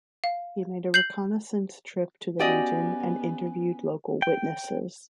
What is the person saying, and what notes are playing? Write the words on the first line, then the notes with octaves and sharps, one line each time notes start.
He made a reconnaissance trip to the region, and interviewed local witnesses.
F5
G6 C7 F#7
B3 C#4 F#4 G4 D5 D#5 G#5
G5